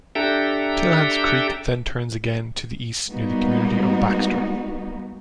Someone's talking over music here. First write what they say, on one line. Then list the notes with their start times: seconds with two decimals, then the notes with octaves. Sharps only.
Tilhance Creek then turns again to the east near the community of Baxter.
0.15 D4 G4 A4 E5 G5 A#5
3.09 G3 G#3 A#3 B3 D#4 F#4